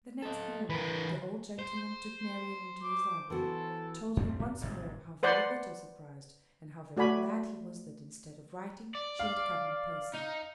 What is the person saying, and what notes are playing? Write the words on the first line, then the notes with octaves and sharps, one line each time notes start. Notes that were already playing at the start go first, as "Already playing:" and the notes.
The next morning, the old gentleman took Marian into his library, told her once more how very little surprised, and how very glad he was that instead of writing, she had come in person.
A4 D#5
E3 A#4 B4
C5
D6
E3 B3 F#4 A4
F2 G3 C4
F#2
D1 G#1 G2 C3
B4 C5 D5 F#5 C6
A3 F#4 D5 G#5 B5
D5
F5
D#4